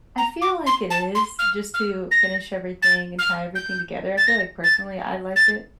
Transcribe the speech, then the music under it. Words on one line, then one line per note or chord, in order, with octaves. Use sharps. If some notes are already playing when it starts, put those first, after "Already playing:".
I feel like it is, just to finish everything and tie everything together. I feel like, personally, I liked it.
A#5
D6
C6
A5
C6
F6
F6
A#6
A6
F6
G6
A6
A#6
A6
A6